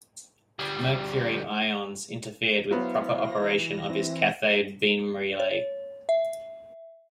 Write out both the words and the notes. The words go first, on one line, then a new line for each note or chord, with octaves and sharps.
Mercury ions interfered with proper operation of his cathode-beam relay.
D2 G3
F#3 B3 E4 C5 F5
E3 A#6
C4 E4
C#5
E5